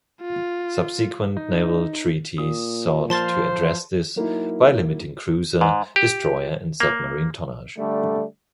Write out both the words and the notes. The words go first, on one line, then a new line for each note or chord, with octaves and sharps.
Subsequent naval treaties sought to address this, by limiting cruiser, destroyer and submarine tonnage.
F4
D#4
A#2 D#6
F3 C5 F5 A5 C6 A6
F#3 A#3 D#4 E4
G#2
G4
A#3
D3 G3 A3